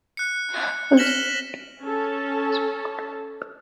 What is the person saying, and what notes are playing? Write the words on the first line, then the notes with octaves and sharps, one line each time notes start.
Walker's primary motto in life and most famous quote was "think big".
F#6 C#7
F6 A#6 B6 E7 F#7 G7
C#4 A4 A5